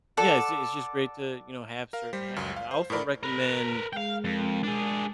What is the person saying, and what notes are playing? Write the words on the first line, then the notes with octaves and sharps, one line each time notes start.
yeah, it's it's just great to, you know, have certain habits. I also recommend
A4 D5 F#5
A#4 F5
G3 C5 B6
C#2 F#2
F5
C5
A2 A4 A#4 D5 B5
A#4 B4
G#3 G#4 F5 G5
F2 G#3 A#4
D4 G#4